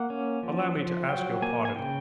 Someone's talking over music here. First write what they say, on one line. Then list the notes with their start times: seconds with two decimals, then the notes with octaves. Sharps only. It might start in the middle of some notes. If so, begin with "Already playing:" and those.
Allow me to ask your pardon.
Already playing: A#3 F#5
0.10 C#4
0.43 F3
0.76 F3
1.09 F#3 G5
1.42 A#3 G#5
1.65 G#5
1.76 C#3 G5